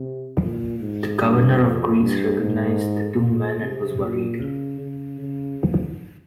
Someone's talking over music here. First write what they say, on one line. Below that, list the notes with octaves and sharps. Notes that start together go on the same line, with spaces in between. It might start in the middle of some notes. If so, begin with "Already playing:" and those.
The Governor of Greece recognised the two men and was worried.
Already playing: C3
A#2
G#2
G2
F2
G2
G#2
A#2
C3
A#2
C#3
C#3
C#3